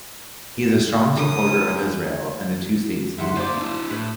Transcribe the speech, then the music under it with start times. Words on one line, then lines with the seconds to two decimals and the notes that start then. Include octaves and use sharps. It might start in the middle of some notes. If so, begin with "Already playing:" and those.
He is a strong supporter of Israel and the two-state solution.
1.17 F#2 D#6
3.18 F#2 E5 F#5 C6
3.37 A#3 D#4 C5 D5 D6
3.59 D4 E4
3.90 A2 B4